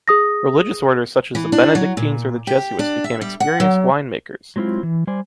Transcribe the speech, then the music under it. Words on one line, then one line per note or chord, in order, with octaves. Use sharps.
Religious orders such as the Benedictines or the Jesuits became experienced winemakers.
G#4 D#6 A#6
E3
D4
F#3
A#2
G4
D4
E5
G3
F#5
F#3
F#3 G#3 C4 E4 F4
E3
G3 C5 D5 G#5